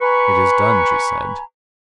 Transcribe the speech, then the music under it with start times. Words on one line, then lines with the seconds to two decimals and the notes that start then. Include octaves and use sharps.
"It is done," she said.
0.01 B4 G#5 A#5 B5 C#6